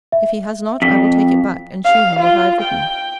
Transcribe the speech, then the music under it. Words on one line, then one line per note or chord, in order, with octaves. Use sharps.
If he has not, I will take it back, and shew him what I have written.
E5
F2 B6
F5
F4
G5